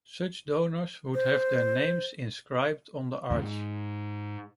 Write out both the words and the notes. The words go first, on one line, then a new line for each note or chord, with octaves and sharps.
Such donors would have their names inscribed on the arch.
C5
D#2 A2 C#3
G#2